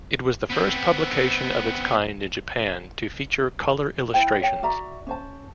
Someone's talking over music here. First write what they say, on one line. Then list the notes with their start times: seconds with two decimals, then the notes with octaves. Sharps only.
It was the first publication of its kind in Japan to feature color illustrations.
0.51 B3 C4
4.14 E4 C5 G5
4.41 C#5 G5
4.63 F#4 D5 E5 A#5
5.07 C#4 C5 A5